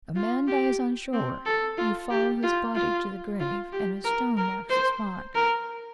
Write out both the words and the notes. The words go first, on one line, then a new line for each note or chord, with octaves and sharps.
A man dies on shore--you follow his body to the grave, and a stone marks the spot.
F4
G4
C4
A4
F4
G4
F4
F4
F4
G4
A#4
A#4
C5
A#4